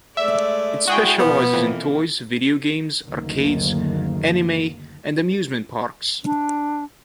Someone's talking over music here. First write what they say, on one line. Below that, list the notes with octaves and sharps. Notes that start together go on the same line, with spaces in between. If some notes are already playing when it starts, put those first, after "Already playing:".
It specializes in toys, video games, arcades, anime, and amusement parks.
G#3 A3 D5 E5
G#3 E4 F#4 G#4 G5
B2 F3 B3
F2 E3 A#3
F#1 D2 D#3 A#3
D4